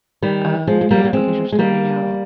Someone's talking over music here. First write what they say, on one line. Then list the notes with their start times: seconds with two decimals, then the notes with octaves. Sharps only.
Um, yeah, because you're starting out
0.22 D#3 G3
0.67 F3 G#3
0.81 G#3
0.91 G3 A#3
1.04 A#3
1.13 G#3 C4
1.52 G#3
1.59 G3 A#3